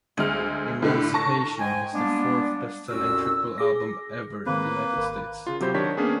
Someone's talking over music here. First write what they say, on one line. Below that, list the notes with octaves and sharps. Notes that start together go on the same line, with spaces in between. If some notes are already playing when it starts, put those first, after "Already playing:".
"Emancipation" is the fourth-best-selling triple album ever in the United States.
D2 G#3 F6
A2 D3
A5 C#6 A#6
G#2 G#3 G5 G#5
G3 G#3 A#3 B3 D4
C2 F2 A#2 C#4 F#4 E6
G#4 D6 A#6
D#3 A#3 C4 B4
G#1 A#4
C#3 F4
C3 F#3 G4 C5 B5 G6
D#3 D4 C#5 B6
A#3 B3 C#4 D4 G#4